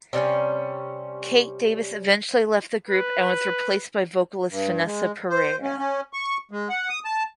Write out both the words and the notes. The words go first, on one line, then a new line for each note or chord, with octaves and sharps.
Kate Davis eventually left the group and was replaced by vocalist Vanessa Perea.
C3 G3 C#4
B4
G2
G#3
C5
C#4
C#4
C#6
G#3
F#5
D#6
A5